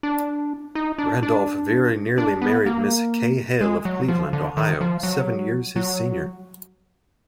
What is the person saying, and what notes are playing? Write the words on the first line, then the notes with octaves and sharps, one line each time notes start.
Randolph very nearly married Miss Kay Halle of Cleveland, Ohio, seven years his senior.
D4
D#4
D4
D4
D4
B3
A#3
G#3
F#3
F3
D3
D#3
F3
F#3
F#3